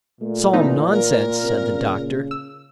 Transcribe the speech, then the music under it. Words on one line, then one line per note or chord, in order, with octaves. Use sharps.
"Solemn nonsense," said the doctor.
A#2 A3
E3 A3 B3 D#4
A#3 A#4
C3
C#3
E6